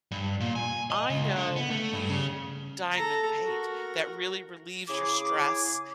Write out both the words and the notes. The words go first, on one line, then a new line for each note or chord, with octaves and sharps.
"I know when you diamond paint that really relieves your stress
G2
A#2
G#5
D#5
C#2
D3
B3
A3
G2
C#3
A4 A#5
F#4 A#4
C#3 E4 G#4 D6